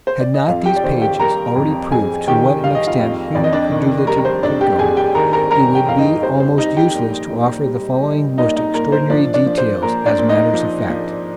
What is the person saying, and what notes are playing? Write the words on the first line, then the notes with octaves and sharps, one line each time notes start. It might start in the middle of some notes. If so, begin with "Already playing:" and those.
Had not these pages already proved to what an extent human credulity could go, it would be almost useless to offer the following most extraordinary details as matters of fact.
C5
D5
D#5
F2 F4 F5
G4 G5
D5
D#3 C5
G4 G5
G3 A#4 A#5
F2
F2 G#4 G#5
D#3 G4 G5
G3 F5
D#5
F4 F5
F2
F2 D5
D#5
D4 D5
D#3
G3 A#4
A#4
C5
F2 D4 D5
G4 G5
F2 G#4 G#5
G4 G5
D#3 A#4 A#5
A#4 A#5
G3 A#4 A#5
G4 G5
F2 F5
D#4 D#5
G3 C5
C5
G3 D#4 D#5
G4 G5
A#2
A#2
G3
G3
A#2 D#4 D#5
D#4 D#5
A#2 A#4
C5
F3 D4 D5
D4 D5
F3
C5
A#2 A#4
D4 D5
A#2
D#4 D#5
F3
F3